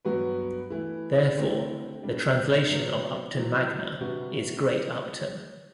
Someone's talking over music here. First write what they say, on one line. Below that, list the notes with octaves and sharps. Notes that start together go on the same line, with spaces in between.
Therefore, the translation of Upton Magna is "Great Upton".
G2 F#3 B3 F#4 B4
E3 A3 E4
D3 A3 C4 E4 G4
B2 G3 D4
C3 F#3 B3
F#3 C4 E4
C3 G3 D4 F#4 B4